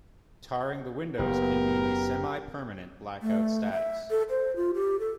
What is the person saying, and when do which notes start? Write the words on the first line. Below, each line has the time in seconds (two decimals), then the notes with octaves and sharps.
Tarring the windows can mean a semi-permanent blackout status.
1.19 F#1 B3 G4 A#4
3.22 A3
3.72 E5
4.10 A4
4.30 C5
4.56 F4
4.74 G4
5.00 A4